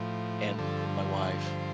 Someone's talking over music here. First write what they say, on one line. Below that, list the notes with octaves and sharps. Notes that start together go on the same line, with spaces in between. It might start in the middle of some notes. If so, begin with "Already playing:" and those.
and my wife.
Already playing: A2 F3
G2 D3 F3 A4
C5